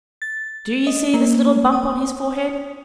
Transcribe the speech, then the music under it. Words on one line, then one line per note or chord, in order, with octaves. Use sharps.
Do you see this little bump on his forehead?
A6
D#5
A#3
D#6